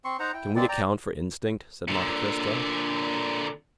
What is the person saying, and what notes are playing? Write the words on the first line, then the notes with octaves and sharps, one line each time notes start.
"Can we account for instinct?" said Monte Cristo.
C4 C6 C#6
D#4 C5 F#5 A#5
E4 G5
G#3 A#3 C4 D5
D5 G5 A#5
A#2 D3